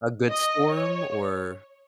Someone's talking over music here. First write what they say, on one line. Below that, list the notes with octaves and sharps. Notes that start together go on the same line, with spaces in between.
A good storm or
D#5
C#5